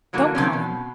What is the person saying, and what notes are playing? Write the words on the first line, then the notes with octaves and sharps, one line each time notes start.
Don't call him.
D3 E3 F#3 A3 A#3
D#3 A#3 C4 C#4
B2